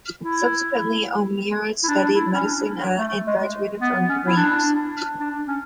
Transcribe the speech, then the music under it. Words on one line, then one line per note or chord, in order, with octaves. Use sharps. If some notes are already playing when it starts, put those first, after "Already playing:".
Subsequently, O'Meara studied medicine at, and graduated from, Rheims.
E4
E4
D4
E4
C#4
D4
A3
G#3
B3
C#4
E4
D4
D4
C#4